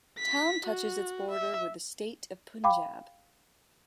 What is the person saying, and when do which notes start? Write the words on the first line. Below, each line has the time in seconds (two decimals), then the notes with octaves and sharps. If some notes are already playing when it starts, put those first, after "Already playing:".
Town touches its border with the state of Punjab.
0.19 B6
0.67 F#4
1.31 E5
2.64 F5 G5 B5 D6